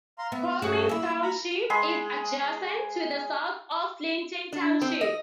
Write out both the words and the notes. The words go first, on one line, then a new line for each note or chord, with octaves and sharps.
Comins Township is adjacent to the south of Clinton Township.
F5 A#5 C6
B3 E5
G2 A3 C#4 F#4 G#4
A#3 E4 E6
A#5 B5
G#3 G#4 B5 C6
D4
C4
D#5